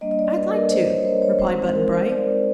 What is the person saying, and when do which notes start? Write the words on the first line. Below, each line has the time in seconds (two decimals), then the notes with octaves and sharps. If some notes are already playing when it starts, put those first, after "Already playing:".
"I'd like to," replied Button-Bright.
0.01 G3 A#3 D4 D#5
0.11 D#5
0.19 D5
0.36 B4
0.54 A#4
0.70 C5
0.88 C#5
1.05 C5
1.22 C#5
1.40 G#3 C4 D#4 C5
1.75 A#4
1.93 C5
2.09 D5